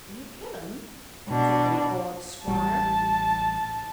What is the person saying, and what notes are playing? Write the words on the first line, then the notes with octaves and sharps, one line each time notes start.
"Will you kill him?" said the awed squire.
B2 D4
A1 G3 A5